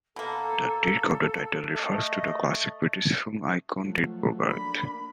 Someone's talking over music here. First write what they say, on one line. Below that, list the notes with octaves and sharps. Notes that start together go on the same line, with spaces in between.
The "Dirk" of the title refers to classic British film icon Dirk Bogarde.
B2 A#3 A4
A3 D#5
F3 F#3 A3
A#3 D4 B5